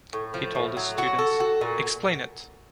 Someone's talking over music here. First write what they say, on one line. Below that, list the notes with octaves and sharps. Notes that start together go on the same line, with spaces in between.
He told his students: Explain it!
A2
F3
A2
F#3
F#4
A4
F#4
A#2